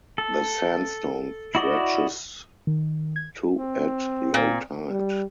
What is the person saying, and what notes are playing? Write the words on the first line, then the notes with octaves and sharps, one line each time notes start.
The sandstone stretches to at low tide.
A4
E4 F#4 D5 D#5
D#3
G#6
C4
A#2
G3